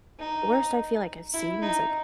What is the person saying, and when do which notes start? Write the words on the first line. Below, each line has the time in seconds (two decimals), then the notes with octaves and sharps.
the worst I feel, like, I've seen is, like,
0.19 D#4
1.33 E4
1.62 D#4